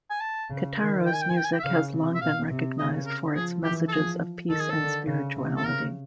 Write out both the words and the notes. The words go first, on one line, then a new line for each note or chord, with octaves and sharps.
Kitaro's music has long been recognized for its messages of peace and spirituality.
G#5
A5
C#3
D#3
G5
G#5
G5
G#5
G5
G#5
G5
E5
C#3 F5
C3
E5
B2 F5
C3
C#3 D#5
A#4
F3 G#4
E3 G4
A4
F3 G#4
D#3 A4
G#4
A4
D3
C#3
C3
A4
C#3 A#4